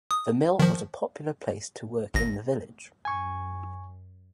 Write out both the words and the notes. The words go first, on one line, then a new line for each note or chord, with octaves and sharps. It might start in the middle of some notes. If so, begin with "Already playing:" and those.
The mill was a popular place to work in the village.
D#6
D#3 F3
G#1 A#6
F#2 G#5 C#6